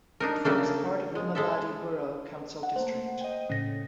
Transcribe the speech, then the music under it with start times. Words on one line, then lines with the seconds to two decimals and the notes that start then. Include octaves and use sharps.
It forms part of Limavady Borough Council district.
0.20 D4 D#4 A#4
0.45 C#3 A3 A#3 D4
1.15 G#3
1.35 G#3 A4 E5
2.63 F#5
2.76 A3 A#3 C5
3.21 D#5 G5
3.49 A2 C#3 C#4 A#6